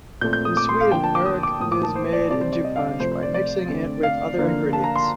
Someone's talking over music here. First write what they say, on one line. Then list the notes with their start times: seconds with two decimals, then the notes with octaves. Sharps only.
In Sweden arrak is made into punsch by mixing it with other ingredients.
0.21 A#2 A3 C4 G6
0.33 G6
0.45 D#6
0.57 D6
0.69 C6
0.80 F5
0.91 D3 F3 A#3 G5
1.04 A5
1.15 D6
1.26 D#6
1.43 D6
1.60 A2 F3 A#3 D#6
1.72 D6
1.83 A5
1.95 C5
2.13 D5
2.29 C3 G3 C4 D5
2.41 C5
2.53 D5
2.64 D#5
2.76 F5
2.99 C3 F3 A3 C5
3.12 C5
3.23 D5
3.34 D5
3.68 D3 A3 C4
4.03 F5
4.38 D3 F3 A#3
4.73 A5
4.84 A#5
4.96 C6